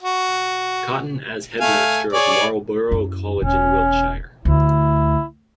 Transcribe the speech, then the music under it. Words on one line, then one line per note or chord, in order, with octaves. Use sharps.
Cotton as Headmaster of Marlborough College in Wiltshire.
F#4
A3 F5 G#5
G#4 C#5 D5
F#2 E4
E1 C#4
D2 E4